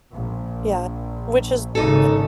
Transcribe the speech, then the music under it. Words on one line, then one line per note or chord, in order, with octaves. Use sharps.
Yeah. Which is eh
A#1
G#1 C#3 D#4 A4